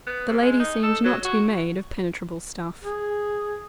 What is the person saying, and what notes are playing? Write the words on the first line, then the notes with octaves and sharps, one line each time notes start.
The lady seemed not to be made of penetrable stuff.
B3
C3
G#3
D#4
A4
F#3
F#4
G#4